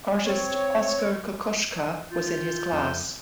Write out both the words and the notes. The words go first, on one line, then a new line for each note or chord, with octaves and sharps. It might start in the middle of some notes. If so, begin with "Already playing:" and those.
Artist Oskar Kokoschka was in his class.
C4 C#5
F4 G6
F2